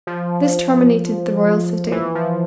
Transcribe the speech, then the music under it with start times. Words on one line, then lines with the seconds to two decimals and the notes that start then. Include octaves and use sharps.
This terminated the royal sitting.
0.07 F3
1.92 E3
2.15 F3